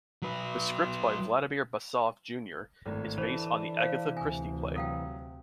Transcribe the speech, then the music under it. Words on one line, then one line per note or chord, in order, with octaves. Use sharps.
The script by Vladimir Basov Junior is based on the Agatha Christie play.
F#3 B4
G#1 A2
D3 E3 D4 C5
C5 F5
D2 C3 G#5
F#3 A4 F5 G5